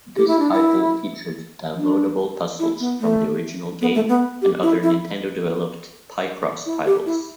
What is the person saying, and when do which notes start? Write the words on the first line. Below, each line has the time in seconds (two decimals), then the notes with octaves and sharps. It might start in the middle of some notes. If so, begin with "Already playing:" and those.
This title featured downloadable puzzles from the original game and other Nintendo-developed "Picross" titles.
0.16 G4
0.28 E4
0.40 D4
0.52 E4
1.79 D4
2.59 E4
2.80 B3
3.00 A3
3.81 B3
3.95 A3
4.09 B3
4.42 G4
4.63 E4
4.83 E4
6.66 E4
6.86 G4
7.06 E4